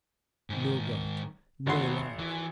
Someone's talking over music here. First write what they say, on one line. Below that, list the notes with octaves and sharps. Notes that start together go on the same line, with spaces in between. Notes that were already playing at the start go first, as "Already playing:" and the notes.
No God! no Love!
G#2 D#3
G#1 D#2 F#5 C6
E3